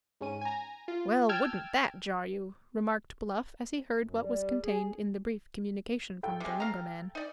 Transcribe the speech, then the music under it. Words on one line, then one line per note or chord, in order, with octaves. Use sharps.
"Well, wouldn't that jar you?" remarked Bluff, as he heard what was contained in the brief communication from the lumberman.
G#2 C#4 D#7
G#5 A#5
F4
G5 A5 E6 F6 G#6 D7
F#2
G3
G#4
A4 G5
C3 G#3
F5 A#5
D#4 D5